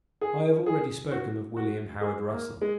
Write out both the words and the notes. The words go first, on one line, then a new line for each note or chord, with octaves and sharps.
I have already spoken of William Howard Russell.
G#4
G#4
F#4
F#4
G#4
A#3
G#3